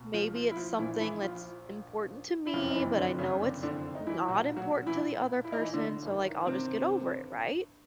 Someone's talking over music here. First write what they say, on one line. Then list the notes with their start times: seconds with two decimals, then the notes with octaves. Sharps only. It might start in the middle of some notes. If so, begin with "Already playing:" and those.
Maybe it's something that's important to me, but I know it's not important to the other person, so, like, I'll just get over it, right.
Already playing: C#2 B2
0.14 F3 F4
0.35 F3 F4
0.51 E4
0.57 F3 F4
0.78 A#1 A#2 E3 E4
1.00 E3 E4
1.22 F3 F4
2.47 E4
2.53 F#1 F2 C3 E3 F3 F4
2.71 D#4
2.75 E3 E4
2.97 D3 D4
3.18 C#3 C#4
3.40 D3 D4
3.62 D3 D4
3.95 D#4
4.07 E3 E4
4.28 B1 A#2 F#3 F#4
4.57 F#3 F#4
4.86 E3 E4
5.44 E4
5.52 D#4
5.61 E3 E4
5.73 D3 D4
6.03 A1 G2 D#3
6.46 C3 C4